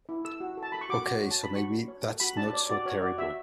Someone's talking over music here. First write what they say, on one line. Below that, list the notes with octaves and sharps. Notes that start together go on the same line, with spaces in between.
Okay, so maybe that's not so terrible.
E4
A4 E6
F#4
A4
A5
A4 B5
C#6
F#4 D6
F#4
C#5
A5
C#5 B5
F#4 C#6
D4
C#5
A4
F#4 B5
D4 A5
C#5 D5
F#4 D5
F#4 C#5
F#4 D5
F#4 E5